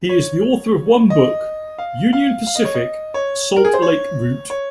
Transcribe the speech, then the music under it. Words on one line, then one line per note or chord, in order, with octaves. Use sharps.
He is the author of one book, "Union Pacific: Salt Lake Route".
C#5
D#5
F5
F5
F5
D#5
C#5
D#5
C#5
A#4
G#4
C5
C#5
C#5